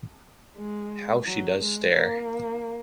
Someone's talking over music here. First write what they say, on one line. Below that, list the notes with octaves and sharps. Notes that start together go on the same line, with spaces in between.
How she does stare!
G#3
F#3
G#3
A#3